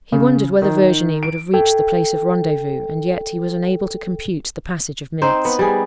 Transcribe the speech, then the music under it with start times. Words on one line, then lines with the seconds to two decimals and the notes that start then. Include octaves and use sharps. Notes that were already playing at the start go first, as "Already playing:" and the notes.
He wondered whether Virginie would have reached the place of rendezvous, and yet he was unable to compute the passage of minutes.
0.12 C#3
0.62 D#3
1.23 D7
1.54 A4 G5
5.22 C4 D#4 C5
5.45 B3
5.59 G3 G#4